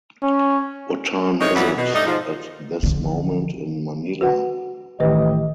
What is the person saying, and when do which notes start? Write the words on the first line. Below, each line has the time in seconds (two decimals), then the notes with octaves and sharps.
What time is it at this moment in Manila?
0.23 C#4
1.41 D#3 E3 G#3 D#4 C#5
1.55 E2 A#2 E3 F#3 G3 B3
1.78 B2
1.94 G2 A3 D4 D#4
2.06 G#2 F3
2.83 D3 F3
4.21 F#4 B4 F#5
5.00 A1 D#3 G4 B4 D#5